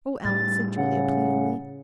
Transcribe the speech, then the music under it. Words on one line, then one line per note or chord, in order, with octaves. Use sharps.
"O Ellen!" said Julia pleadingly.
A2 G3 A6
C#3 F#5